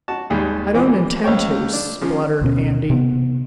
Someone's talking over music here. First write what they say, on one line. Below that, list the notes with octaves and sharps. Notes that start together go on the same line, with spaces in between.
"I don't intend to," spluttered Andy.
F#4 A5
G#1 D#2 G#2 G3 G#3
A#2 E3 F3 C4 D6
C#2 C5 C#5 G5
D4
C#3 F3
D2 B2 C#4
C3 B3